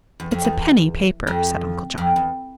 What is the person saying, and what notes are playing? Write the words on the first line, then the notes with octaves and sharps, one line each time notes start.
"It's a penny paper," said Uncle John.
E2
F2
E2
F2
F2
E2